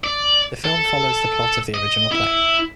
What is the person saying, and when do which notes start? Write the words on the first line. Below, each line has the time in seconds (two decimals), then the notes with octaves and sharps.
The film follows the plot of the original play.
0.04 D5
0.64 A4
1.74 D#5
2.12 E4